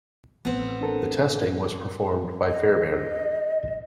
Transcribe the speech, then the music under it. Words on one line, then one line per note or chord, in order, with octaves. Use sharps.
The testing was performed by Fairbairn.
A1 E3 B3 C4
D4 A4 A#4
D#5